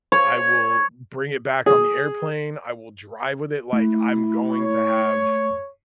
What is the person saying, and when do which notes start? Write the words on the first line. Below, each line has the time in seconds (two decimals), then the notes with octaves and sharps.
I will bring it back on the airplane, I will drive with it, like, I'm going to have
0.12 C#5
1.66 G#4
3.73 A3 E4
4.52 C#5